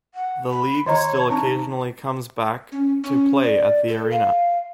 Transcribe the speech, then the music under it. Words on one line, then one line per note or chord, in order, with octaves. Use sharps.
The league still occasionally comes back to play at the arena.
F#5
B5
D#3 C#5 D#5 A#5
C4 D#4 A5 A#5
C#4
C#4
D5
A4
F5